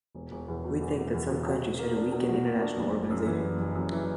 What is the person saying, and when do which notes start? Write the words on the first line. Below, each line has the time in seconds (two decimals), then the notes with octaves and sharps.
We think that some countries try to weaken international organizations.
0.15 E1
0.31 E1
0.48 E2
0.64 B2
0.80 E1
0.97 E1
1.14 E2
1.29 B2
1.46 B2
1.63 F#4
1.79 A#3
1.96 D4
2.12 B2
2.29 F#4
2.45 A#3
2.61 D4
2.78 F#1
2.94 F#1
3.11 F#2
3.26 E3
3.43 F#1
3.60 F#1
3.75 F#2
3.92 E3